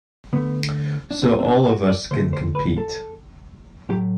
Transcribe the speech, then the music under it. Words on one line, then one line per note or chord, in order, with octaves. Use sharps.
So all of us can compete.
D3 A3 B3
D4
C4
C4
D4
F#4
D5
D3 A3 C5
C5
B4
A4
A2 F#3 A3 G4